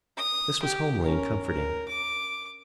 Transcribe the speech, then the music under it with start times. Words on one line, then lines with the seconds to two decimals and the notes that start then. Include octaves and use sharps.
This was homely and comforting.
0.17 D#6
0.63 G4
1.03 C#4 A#4
1.46 A#4
1.88 D6